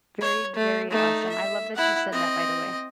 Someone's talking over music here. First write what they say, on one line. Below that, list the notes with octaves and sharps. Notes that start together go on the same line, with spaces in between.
Very, very awesome. I love that you said that, by the way.
C#5
A3
A3 D#4
E5
E4 F#5
C4 D#5